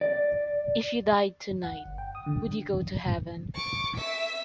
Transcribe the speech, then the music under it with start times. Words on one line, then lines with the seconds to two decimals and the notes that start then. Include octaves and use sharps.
If you died tonight, would you go to heaven?
0.01 D5
1.63 F#5
1.85 G1
1.98 G5
2.15 D#6
2.26 D3
3.55 C#6 D6
3.96 E5 B6